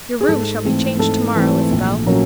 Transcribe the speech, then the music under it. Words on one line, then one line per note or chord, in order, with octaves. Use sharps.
"Your rooms shall be changed to-morrow, Isabel."
G#4
G#2 A4
E3 A3 C4
G#2 A4
E3 A3 C4
A#1
A#2 F#3 A#3 C#4